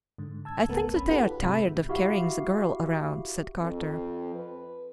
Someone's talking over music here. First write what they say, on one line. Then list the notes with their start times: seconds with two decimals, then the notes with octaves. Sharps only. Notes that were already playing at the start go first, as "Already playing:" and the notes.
"I think they are tired of carrying the girl around," said Carter.
0.18 G#2 D3
0.45 A5 E6 G#6
0.68 C#2 A3 B3 A#4 A5
0.93 G#1 C#4 B5
1.07 D#4 F4 G4 A4 B4 F#5
1.41 G#2 C3 G#3 E5 B5
1.89 E4 F#4 G4 E5 F5
3.59 F2
4.35 B4